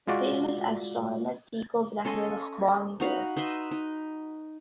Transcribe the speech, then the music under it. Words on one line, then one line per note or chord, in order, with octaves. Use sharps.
The famous astronomer Tycho Brahe was born there.
G#3 F4 F#4 D5
C#4 A4 D#5 C6
D#4 F#4 F5 B5
D#4 B4 E5 C6
D#4